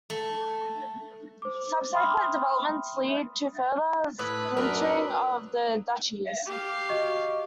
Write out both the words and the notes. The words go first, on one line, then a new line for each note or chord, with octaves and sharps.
Subsequent developments lead to further splintering of the duchies.
A3
C5 D6
E5 G5 B5 C6 D#6 F6
A2 B4 D#6 E6
F#2 D4 A#4 B4
G4 F5
F#4 D#5 C#6